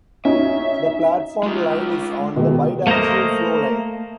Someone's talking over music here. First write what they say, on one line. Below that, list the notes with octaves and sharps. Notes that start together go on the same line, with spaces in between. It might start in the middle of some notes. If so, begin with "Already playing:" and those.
The platform line is on the bidirectional slow line.
C#4 D#4 F#4 E5
D#4
G#3 F4
B2 D#3 G#3
A3 A#3 A#4 C5 D#5